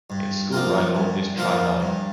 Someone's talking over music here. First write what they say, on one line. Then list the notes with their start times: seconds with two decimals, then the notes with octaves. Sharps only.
Its school rival is Tri-Valley.
0.10 G2
0.52 F3 A#3 F4 A#4
0.95 G2
1.38 F3 A#3 F4 A#4
1.80 G2